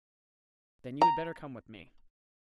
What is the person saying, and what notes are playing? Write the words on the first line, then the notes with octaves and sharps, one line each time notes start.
"Then you had better come with me."
A#5